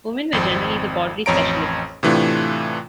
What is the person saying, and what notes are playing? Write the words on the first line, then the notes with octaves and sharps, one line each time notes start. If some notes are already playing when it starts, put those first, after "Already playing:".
Women were generally the pottery specialists.
G#1 F2 C4
A1 F2 C#5 A#5 D7
A2 C3 E3 A3 D4 F4